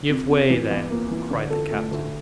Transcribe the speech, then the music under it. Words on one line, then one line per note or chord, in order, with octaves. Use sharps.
"Give way, then," cried the captain.
C3
C3
E3
E2
A#3
E3
D3
A4
A3
D2